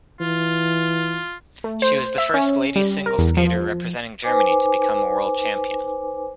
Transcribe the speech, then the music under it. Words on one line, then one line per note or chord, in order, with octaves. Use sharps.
She was the first ladies' single skater representing Germany to become a world champion.
E3 F4
A3
C5
E5
C#4
G3
A#4
E2
F3
D#4 B4 C5 G#5 D6